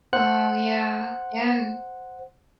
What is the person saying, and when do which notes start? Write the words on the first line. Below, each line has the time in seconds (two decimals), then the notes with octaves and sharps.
Oh, yeah, yeah.
0.13 C5 F#5 F#6